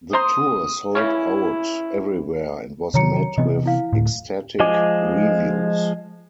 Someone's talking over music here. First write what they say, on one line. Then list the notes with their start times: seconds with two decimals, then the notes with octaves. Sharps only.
The tour sold out everywhere and was met with ecstatic reviews.
0.13 C5 A#5 C6 D#6
0.95 C#3 E3 C#4 E4
2.94 C3 D#3 F#3 C#5 A#5 C#7
3.38 C3 E3 B3 D#5
3.66 E4 F5
3.93 D1 A2
4.60 F3 G#3 D#5 G#5 D6